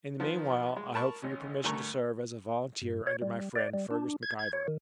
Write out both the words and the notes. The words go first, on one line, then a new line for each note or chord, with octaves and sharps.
In the meanwhile, I hope for your permission to serve as a volunteer under my friend Fergus Mac-Ivor.'
D#3 F3 B3
G#3
A#4 A5 B5 C#6
G#1 C#4
D2 G2 A3 A#4 A#5 C#6
G2
C#5
G3
D5
G3
D4
G#6
G#6
C#5
D#3